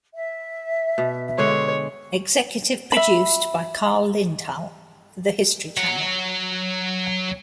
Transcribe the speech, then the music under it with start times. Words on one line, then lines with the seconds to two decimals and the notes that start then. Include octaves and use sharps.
Executive produced by Carl Lindahl for the History Channel.
0.13 E5
0.98 B2
1.38 D3 G#3 G#4 C#5
2.92 E5 B5
5.77 F#3 F#5